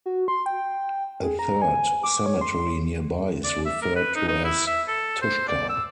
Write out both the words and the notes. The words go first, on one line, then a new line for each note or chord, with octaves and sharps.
A third cemetery nearby is referred to as Tushka.
F#4
C6
G5
G#4
A#5
G#5
D6
C#5
C6
D5
E5
A#4
B4
D#4
D#4
E4
E5
A4
C5
D5
E6